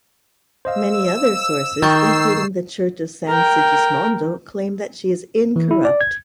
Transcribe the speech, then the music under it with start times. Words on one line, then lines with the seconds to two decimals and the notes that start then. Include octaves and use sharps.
Many other sources, including the Church of San Sigismondo, claim that she is incorrupt.
0.65 C5 D#5 F5 E6
1.82 D#3 D#4 G5 C#6 E6 G6 A6 C7
3.28 A#4 G5
5.56 E3
5.71 E4
5.85 D5
6.01 G#6